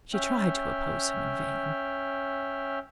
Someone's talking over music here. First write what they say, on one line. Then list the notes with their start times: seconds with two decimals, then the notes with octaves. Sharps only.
She tried to oppose him in vain.
0.13 C#4 E5 G5 F6